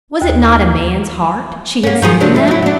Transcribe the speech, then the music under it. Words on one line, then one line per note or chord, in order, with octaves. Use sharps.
Was it not a man's heart she had seen in them?
D#2
A#3 C#4
D#3 F3 G#4
C3 F#3 D4
A3 E4
F#3 E4
F#3 D4